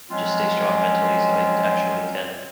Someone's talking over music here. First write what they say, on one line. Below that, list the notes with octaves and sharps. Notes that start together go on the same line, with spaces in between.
just stay strong mentally, so I d actually can
F3 F#3 G#3 C4 C#4 F4